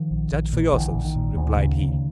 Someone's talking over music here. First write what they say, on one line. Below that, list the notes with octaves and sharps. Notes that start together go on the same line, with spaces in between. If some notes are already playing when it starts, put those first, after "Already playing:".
"Judge for yourself," replied he.
Already playing: D#3 F3
A#1
A#1
A#2
A#1 D3 E3
A#1
D#3
A#2
D2
C#3
D2